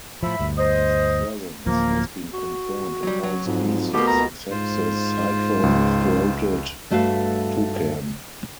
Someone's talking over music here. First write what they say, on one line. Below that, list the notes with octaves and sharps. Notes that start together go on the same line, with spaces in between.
Its presence has been confirmed on all species except the citron-throated toucan.
A2 F3 E5 B5
D2 G2
C5 D#5
D1 F3 A#3
F#4
F#3 G3
F#3
F2 G#2
B2 A3 A#3 G4
C#2 A#5
G#2 F4 C5
C#2
G2 A3 F#4 B4 F5